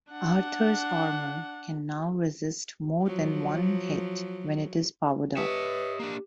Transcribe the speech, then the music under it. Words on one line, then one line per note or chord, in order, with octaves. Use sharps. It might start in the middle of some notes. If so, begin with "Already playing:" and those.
Arthur's armor can now resist more than one hit when it is powered up.
D4 F#5
F3 F#3
G4 B4 C#5 D#5 E5
A#3 D4